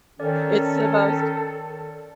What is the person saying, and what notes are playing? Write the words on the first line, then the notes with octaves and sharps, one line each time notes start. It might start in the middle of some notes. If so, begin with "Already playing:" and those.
It's the most
D#3 C#4 A4 D5